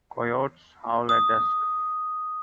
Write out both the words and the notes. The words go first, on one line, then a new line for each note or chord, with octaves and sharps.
Coyotes howl at dusk.
D#6